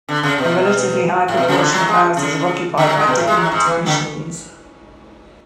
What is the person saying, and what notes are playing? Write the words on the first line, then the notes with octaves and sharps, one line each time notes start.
A relatively high proportion of houses are occupied by diplomatic missions.
D3
C#3
B2
A2
B2
C#3
D3
F#3
G#3
C#3
D3
F#3
G#3
B2
A2
G#3
F#3
G#2
E3
D3